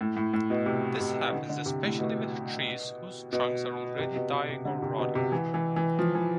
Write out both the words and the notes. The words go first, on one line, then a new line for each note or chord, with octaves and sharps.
This happens especially with trees whose trunks are already dying or rotting.
A2
A2
A2
B2
C3
C3
D3
D3
C3
A2
B2
B2
C3
B2
B2
C3
D3
C3
B2
C3
E3
E3
E3
F3
E3